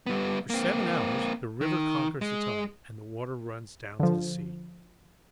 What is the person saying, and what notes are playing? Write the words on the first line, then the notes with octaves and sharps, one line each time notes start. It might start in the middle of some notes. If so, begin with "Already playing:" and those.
For seven hours the river conquers the tide, and the water runs down to sea.
G3 B3
A#3 C4
D#3
G#3
D3 F3